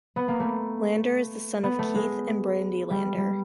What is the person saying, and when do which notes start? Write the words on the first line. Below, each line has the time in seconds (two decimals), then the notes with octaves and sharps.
Lander is the son of Keith and Brandie Lander.
0.16 B3
0.28 A#3
0.40 A3
1.63 B3
1.79 A3
1.95 G#3
2.90 G3
3.17 G3